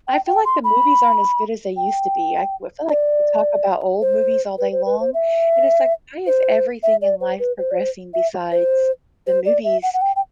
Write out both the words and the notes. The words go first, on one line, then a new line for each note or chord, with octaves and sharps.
I feel like the movies aren't as good as they used to be, I well, I feel like we talk about old movies all day long, and it's like, why is everything in life progressing besides the movies
G5
G5
C6
B5
G5
D5
C5
B4
C5
B4
C5
E5
C5
E5
D5
C5
B4
C5
D5
C5
E5
C5
C5
D5
E5
F#5
F#5
G5
G5